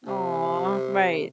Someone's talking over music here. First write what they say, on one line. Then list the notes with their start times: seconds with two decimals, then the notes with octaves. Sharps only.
Aw! Right.
0.07 C3